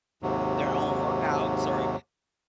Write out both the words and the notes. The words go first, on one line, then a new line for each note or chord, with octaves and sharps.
their own workouts, or
D#2 G#2 C3 F#3